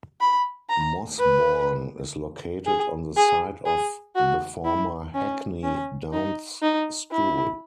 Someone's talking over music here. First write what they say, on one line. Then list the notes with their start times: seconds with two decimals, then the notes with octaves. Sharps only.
Mossbourne is located on the site of the former Hackney Downs School.
0.21 B5
0.70 A#5
1.19 B4
2.67 G#4
3.17 G#4
3.66 G#4
4.16 F#4
4.65 E4
5.15 C#4
5.64 C#4
6.13 D#4
6.62 D#4
7.12 E4